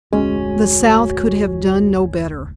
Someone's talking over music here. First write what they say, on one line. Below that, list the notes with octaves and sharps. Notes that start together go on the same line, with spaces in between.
The South could have done no better.
F1 D2 G#3 C#4 F#4